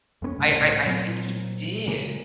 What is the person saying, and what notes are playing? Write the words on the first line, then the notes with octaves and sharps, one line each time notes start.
I I I think he did.
F2 B3 C#4
C2 A2 C#3
A#2 F#3 A#3 C4
C#3 G#3 A#3